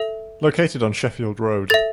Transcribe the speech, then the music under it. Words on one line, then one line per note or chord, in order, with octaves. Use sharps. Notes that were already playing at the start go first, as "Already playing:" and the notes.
Located on Sheffield Road.
Already playing: A4 E5
A4 E5 A6